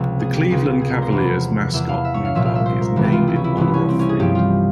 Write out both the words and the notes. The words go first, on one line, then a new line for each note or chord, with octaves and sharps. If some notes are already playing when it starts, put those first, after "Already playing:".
The Cleveland Cavaliers' mascot Moondog is named in honor of Freed.
Already playing: C#2 C3 F3
G#4
G4
C#2 C3 F3 G#4
G#4
A#4
C5
E2 E3
E2 E3 E5
F5
E5
C#5
F5
C2 A#2 F3 E5
F5
E5
C5
A#4
C#2 C3 E3
G4
F4
E4
C#4
E4
C2 C3 E3 E4
C#4
C4
C#4
G#4
G2 F3 G4
F4